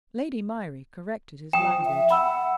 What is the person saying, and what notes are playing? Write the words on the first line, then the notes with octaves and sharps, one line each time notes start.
Lady Myrie corrected his language.
F3 G5 D#6 E7
E5
F#5 B5 E6